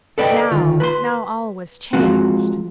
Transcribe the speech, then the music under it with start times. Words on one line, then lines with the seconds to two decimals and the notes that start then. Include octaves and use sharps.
But now, now all was changed.
0.18 A4 B4 D5 D#5 F5 G5
0.51 D2 D#3 F4
0.80 B4 B5 C6
1.93 F3 G#3 C4 F4 F#4